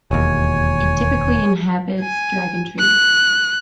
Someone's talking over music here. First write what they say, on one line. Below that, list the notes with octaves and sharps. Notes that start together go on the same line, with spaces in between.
It typically inhabits dragon trees.
E1 D#2 C#5 G#5
G#5
F#6